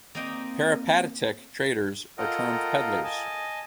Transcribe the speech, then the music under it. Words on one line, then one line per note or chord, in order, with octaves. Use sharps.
Peripatetic traders are termed pedlars.
A#3 C4 D#4 D#5 G5
F4 A4 A#4 D#5 F#5 G5
D#5 G#5 A5